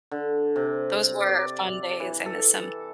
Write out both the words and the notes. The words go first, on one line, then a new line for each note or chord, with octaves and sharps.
those were fun days. I miss 'em.
D3
C3
D5
E3
A4